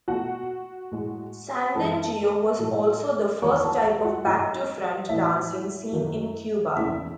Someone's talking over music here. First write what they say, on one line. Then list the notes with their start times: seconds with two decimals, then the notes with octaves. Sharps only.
Sandungueo was also the first type of back-to-front dancing seen in Cuba.
0.08 B2 A3 F#4 F#5
0.92 A2 G#3
1.75 F#2 E3 G#3 A4 A5
2.59 A2 F#3 A3
3.42 E2 D#3 F#3 A3 C#5 C#6
3.63 A4 A5
3.84 A4 A5
4.05 F#4 F#5
4.26 G#2 F#3 A3 D#5
5.09 A2 E3 A3 E4 E5
5.92 F#2 D#3 F#3
6.76 E2 C#3 E3 A3 E4 E5